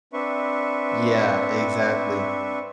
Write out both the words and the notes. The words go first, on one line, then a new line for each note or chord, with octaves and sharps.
Yeah, exactly.
C4 D4 B4 E5 C#6